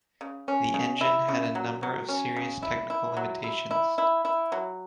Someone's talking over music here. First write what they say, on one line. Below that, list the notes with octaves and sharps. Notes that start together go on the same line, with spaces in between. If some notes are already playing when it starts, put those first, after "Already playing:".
The engine had a number of serious technical limitations.
C#3
C#4
C#3
E4
C#3
F#3
F#3
C#4
C#3
E4
E4
F#3
E4
E4
E4
E4
F#3